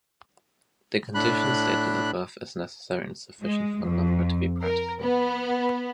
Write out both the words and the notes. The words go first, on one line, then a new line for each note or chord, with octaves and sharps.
The condition stated above is necessary and sufficient for a number to be practical.
A2 D4 B5 F#6
G#3
F2
A#4
B3